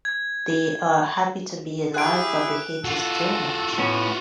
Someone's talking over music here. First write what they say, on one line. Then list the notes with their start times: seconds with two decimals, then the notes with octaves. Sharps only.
They are happy to be alive, but the heat is too much.
0.05 G#6
1.94 E4 G4 G#4 F#6 D7
2.84 F4 F#4 A4
3.78 A2 B3 C#4